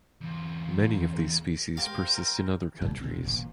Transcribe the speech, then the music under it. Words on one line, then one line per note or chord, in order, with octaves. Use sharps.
Many of these species persist in other countries.
E2 F4
G4 A#4 C5 F5
F#2
A#1 C3 C4
E1 A#2